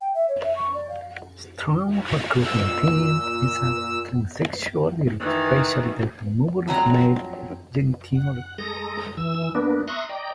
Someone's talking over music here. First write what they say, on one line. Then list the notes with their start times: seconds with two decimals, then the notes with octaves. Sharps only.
A strong recurring theme is transsexuality, especially the removal of male genitalia.
0.01 G5
0.15 E5
0.29 C#5
0.43 E5
0.56 C#6
0.74 D5
0.89 F5
2.42 A#2 E6
5.20 D#3 E3
6.68 F2 F#3 C4 A#5
8.15 F#5
8.58 G#3 A4 A#5 D#6 A#6
9.17 E3 E6
9.55 A#3 B3 D4
9.88 E5 A#5 C6 C#6 D#6 F#6
10.09 D5 D#5 G5 A#5